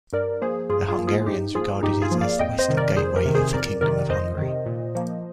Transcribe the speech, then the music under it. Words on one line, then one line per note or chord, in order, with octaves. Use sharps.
The Hungarians regarded it as the western gateway of the Kingdom of Hungary.
G2 A#4 D5
F3 A#3 G#4 C5
G2 F4 G#4
F4 G#4
F3 A#3
F4 G#4
G2 D#4 G4
F3 A#3 F4 G#4
G2 D#4 G4
F4 G#4
F3 A#3
D5 F5
F2 D#5 G5
C5 D#5
C3 D#3
A#4 D5
F2 G#4 C5
G4 A#4
C3 D#3
G#4 C5
F2 A#4 D5
C3 D#3 A#4 D5
F2 C5 D#5
C3 D#3
A#2
F3 A#3